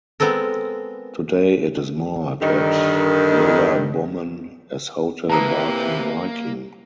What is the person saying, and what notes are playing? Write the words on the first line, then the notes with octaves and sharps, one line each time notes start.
Today it is moored at Lilla Bommen as hotel "Barken Viking".
G#3 B3 C4 A4 A#4
G2 D3 D#3
C3 E3 A#3 A5 A#5 D#6